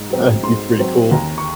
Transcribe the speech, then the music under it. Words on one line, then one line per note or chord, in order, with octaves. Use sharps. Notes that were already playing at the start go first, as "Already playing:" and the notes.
That'd be pretty cool.
Already playing: G#2
F#3 C4
G#2 C6
F#3 C4
D#2 A#5
C#6